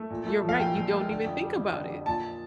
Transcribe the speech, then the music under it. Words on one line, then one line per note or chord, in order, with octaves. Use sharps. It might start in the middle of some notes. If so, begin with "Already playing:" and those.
You're right, you don't even think about it.
Already playing: A3
A#2
A3
F3
F5
A#1 G5
A#2
A3
D3
F2
G3
F2
D3
F2
A#2 A5